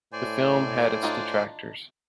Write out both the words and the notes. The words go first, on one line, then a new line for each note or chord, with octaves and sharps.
The film had its detractors.
A2 C5 D5 G#5
D4 D#4 F4